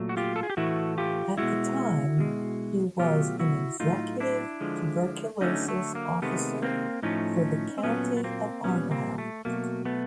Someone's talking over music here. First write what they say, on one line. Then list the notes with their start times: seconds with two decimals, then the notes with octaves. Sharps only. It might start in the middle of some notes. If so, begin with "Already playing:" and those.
At the time he was an Executive Tuberculosis officer for the County of Argyll.
Already playing: A#2 F#3 A3
0.09 F#4
0.17 F4 G4
0.36 A4
0.43 G#4
0.50 G4
0.57 A2 E3 A3 E4 F#4
0.98 F4 G4
1.38 B2 G#3 E4 F#4
2.19 B2 G#3
2.99 B2 F#3 A3 F4 G4
3.39 E4 F#4
3.80 A2 F#3 A3 D#4 F4
4.20 D4 E4
4.61 D3 F3 G#3
5.41 D3 F#3 A3 C#4 D#4
5.68 A3
5.95 A#3
6.22 C3 D#3 G#3 A3 B3
6.62 A#3 C4
7.03 A2 F3 A3 C#4 D#4
7.78 C4
7.83 A#2 F#3 A3 B3 C#4
8.17 B3
8.24 A#3 C4
8.64 A#2 G3 B3 C#4
8.91 A#3 C4
9.18 A3
9.45 B2 F#3 A3 A#3
9.85 A3 B3